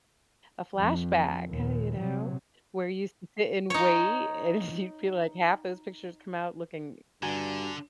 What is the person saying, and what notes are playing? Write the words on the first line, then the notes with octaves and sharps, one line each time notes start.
a flashback, huh, you know, where you sit and wait, and you feel, like, half those pictures come out looking
F2
D#2 A#2
C3 F#3
D#4 C#5
G2 D3 F#4 G#5 A#5